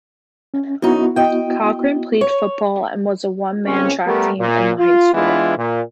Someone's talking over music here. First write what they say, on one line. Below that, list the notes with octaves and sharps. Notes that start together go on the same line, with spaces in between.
Cochran played football and was a one-man track team in the high school.
C#4
F#2 B3 D#4 E4 F#4
D#5 G5
C#5
C#2 G#3 A#3 C4 C#4
G3 A3 B3 G4 A#4
A#2
F4
E3 G#3 B3 D4 E4 F4
A#2